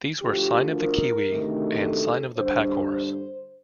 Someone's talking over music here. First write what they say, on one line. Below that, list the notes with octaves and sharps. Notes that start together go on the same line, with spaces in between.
These were Sign of the Kiwi, and Sign of the Packhorse.
D2 D3 F3 G4
A#4
D2 C3 D#3 A3
A4
G2 D3 G3 C5
C5